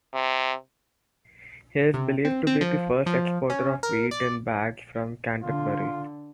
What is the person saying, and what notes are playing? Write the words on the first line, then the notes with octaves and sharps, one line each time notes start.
He is believed to be the first exporter of wheat in bags from Canterbury.
C3
C3
C4
C4
F3
F3
C#4
A#4
D5
D3 F4